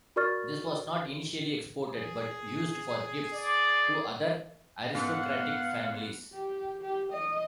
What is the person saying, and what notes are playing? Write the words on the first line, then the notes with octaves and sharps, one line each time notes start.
This was not initially exported, but used for gifts to other aristocratic families.
F#4 A#4 D5 C#6 F6 A6
G#4
D5
G#2 B3 F5 F#5
G4
G4
D#5